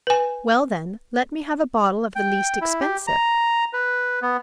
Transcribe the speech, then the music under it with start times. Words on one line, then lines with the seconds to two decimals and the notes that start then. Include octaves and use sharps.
"Well, then, let me have a bottle of the least expensive."
0.07 B4 G#5
2.15 G5
2.61 E4
2.81 G4
3.07 A#5
3.73 B4
4.22 B3